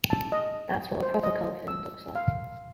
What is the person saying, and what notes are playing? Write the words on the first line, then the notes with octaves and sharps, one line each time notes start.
That's what a proper cult film looks like.
A5
D#5
C5
D#5
E6
F5